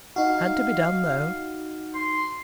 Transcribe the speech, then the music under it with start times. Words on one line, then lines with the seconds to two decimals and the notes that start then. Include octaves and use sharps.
Had to be done, though.
0.16 D#4 F#4 F5
1.94 C6